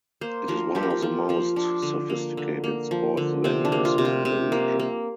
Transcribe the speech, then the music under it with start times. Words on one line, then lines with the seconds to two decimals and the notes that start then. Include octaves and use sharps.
It is one of the most sophisticated sports venues in the region.
0.21 A#3 C5
0.48 F3 A#4
0.75 F3 G4
0.83 A#4
0.90 G4
1.02 F3 F4
1.29 F3 F4
1.56 F3 D4
1.82 D3
2.10 A#3
2.37 D3
2.64 A#3
2.91 F3
3.17 D3
3.44 C3 C4
3.65 D4
3.72 A#3
3.85 F4
3.98 C3
4.05 F4
4.25 C3
4.52 A#3
4.79 A#3